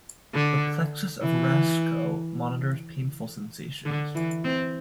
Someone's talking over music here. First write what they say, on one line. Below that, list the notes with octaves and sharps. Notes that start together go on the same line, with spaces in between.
The plexus of Raschkow monitors painful sensations.
D3
E3
D3
E3
C4